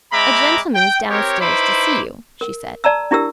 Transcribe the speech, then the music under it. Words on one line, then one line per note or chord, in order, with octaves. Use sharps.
"A gentleman's downstairs to see you," she said.
G#3 C4 E5 A#5 B5 D6
G5
C4 G4 A#4 C#5
D#4 E4 B4 C5 B5 D6
A#4
D5 A5 A#5 E6
D4 E4 G4 A#4 E6